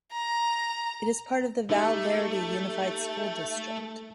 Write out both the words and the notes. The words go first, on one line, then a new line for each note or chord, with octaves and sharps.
It is part of the Val Verde Unified School District.
A#5
A3 D#4 G4 E5